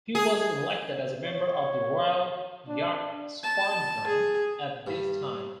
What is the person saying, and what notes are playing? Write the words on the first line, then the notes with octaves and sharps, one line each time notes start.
He was elected as a member of the Royal Yacht Squadron at this time.
G#4
C#5
D4
A5
G#4
G2